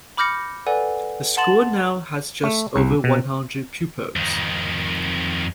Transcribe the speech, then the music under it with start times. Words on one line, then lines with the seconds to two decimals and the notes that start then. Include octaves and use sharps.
The school now has just over one hundred pupils.
0.17 B5 D6 F6 G6 A#6 C#7
0.67 A4 B4 D5 F#5 G#5
1.37 F#5 A5 C6 A6 E7 F#7
2.43 A3
2.76 C2
3.04 B2
4.16 F2 D#3